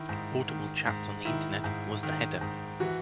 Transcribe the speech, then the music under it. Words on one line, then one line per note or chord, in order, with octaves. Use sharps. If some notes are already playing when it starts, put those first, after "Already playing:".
Audible chats On the Internet was the header.
Already playing: D#3 E4
G#2
D#3
G#2
D#3 E4
G#2
D#3
G#2
E3 F#4